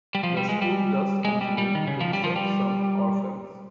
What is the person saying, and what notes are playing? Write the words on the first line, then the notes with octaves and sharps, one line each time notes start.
The school does continue to accept some orphans.
G3
F3
G3
G#3
G3
G#3
G3
G3
D#3
C#3
F3
G3
F3
G3